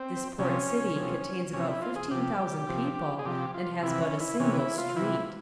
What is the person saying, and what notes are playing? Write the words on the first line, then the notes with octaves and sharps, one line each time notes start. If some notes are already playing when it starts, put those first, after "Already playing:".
This port city contains about fifteen thousand people and has but a single street.
Already playing: C4
C3 F3 C#4
C3 F3
C3 F3 C#4
E4
F4
G#4
C3 F3 G4
C3 F3
G#4
C3 F3 G4
F4
C3 E3 E4
C#4
E4
C3 E3 C#4
E4
F4
C3 E3 E4